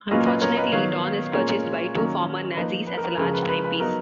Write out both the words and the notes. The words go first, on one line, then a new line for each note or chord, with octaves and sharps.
Unfortunately, Don is purchased by two former Nazis as a large timepiece.
A#2 F#3 A#3 C#4 F4 B4 D#5
B4 D#5
A#4 C#5
B4 D#5
D#3 F#3 B3 C#5 F5
A#2 G#3 C#4 F4 A#4 C#5
D#3 F#3 A#3 C#4
F3 A#3 D#4 B4
B4
A#4
B4
C#3 F3 G#3 C#4 F4 A#4
B4
B4
B4
F#3 B3 D#4 A#4